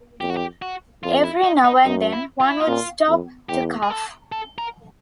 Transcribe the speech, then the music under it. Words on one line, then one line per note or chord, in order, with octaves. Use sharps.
Every now and then one would stop to cough.
F2 G4
F#4
G4
F#4
F2 F4
E4
D#4
D#4
F#2 D#4
E4
F4
E4
F4
A#2
F2
E2 G4
G#4
A4
A4
A#4